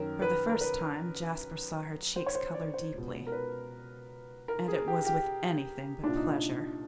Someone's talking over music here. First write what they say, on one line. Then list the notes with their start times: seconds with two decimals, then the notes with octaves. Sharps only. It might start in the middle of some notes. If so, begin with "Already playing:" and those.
For the first time Jasper saw her cheeks colour deeply, and it was with anything but pleasure.
Already playing: F#2 D#3 A#4
0.22 B4
0.49 A#4
0.61 B4
2.16 C5
2.26 C#5
2.35 C5
2.54 D5
2.74 C5
2.93 C#2 B2
3.27 A#4
3.32 B4
4.48 A#4
4.68 G#4
4.88 G4
5.06 G4
6.03 C2 A#2 D4
6.16 D#4
6.29 D4